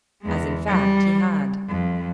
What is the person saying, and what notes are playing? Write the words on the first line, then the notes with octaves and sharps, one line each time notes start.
As, in fact, he had.
E2 G#3
G3
F2